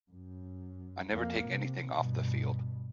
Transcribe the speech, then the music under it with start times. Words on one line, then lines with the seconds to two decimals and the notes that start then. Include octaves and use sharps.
I never take anything off the field.
0.11 F#2
1.11 F2 A#3
1.48 C3
1.92 G2 B2